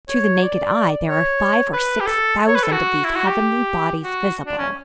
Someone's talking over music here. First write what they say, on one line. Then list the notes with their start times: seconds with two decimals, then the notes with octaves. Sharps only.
To the naked eye there are five or six thousand of these heavenly bodies visible.
0.09 C#5
0.42 D5
1.08 C#5
1.73 B4
2.00 G4
2.06 A4
2.47 C#5
2.55 B4
2.64 A4
2.72 F#4
3.05 E4
3.16 F#4
3.27 G4
4.04 F#4
4.47 D4
4.59 C#4